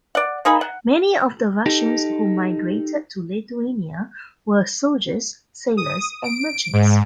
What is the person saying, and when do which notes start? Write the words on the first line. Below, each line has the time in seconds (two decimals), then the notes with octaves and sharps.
Many of the Russians who migrated to Lithuania were soldiers, sailors, and merchants.
0.15 D5 F#5
0.45 A#3 D#4 G#4 B5
0.61 F#5
1.66 D#4 G4 A4
5.77 D#6
6.24 D7
6.73 G#2